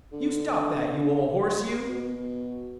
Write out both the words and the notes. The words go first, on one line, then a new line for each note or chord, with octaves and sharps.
"You stop that, you ole horse, you!"
D3
B2